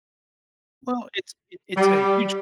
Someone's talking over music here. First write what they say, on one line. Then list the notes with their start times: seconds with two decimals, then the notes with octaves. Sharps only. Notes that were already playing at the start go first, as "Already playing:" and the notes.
Well, it's i it's a huge
1.77 G3